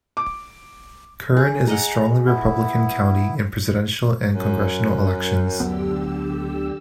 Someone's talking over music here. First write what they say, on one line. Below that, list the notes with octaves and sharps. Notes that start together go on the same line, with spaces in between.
Kern is a strongly Republican county in Presidential and congressional elections.
D6
G#4
G#4 D#5 F#5 A#5
B3 E4
F#2
D2 D3 F#3 B3 G4 E6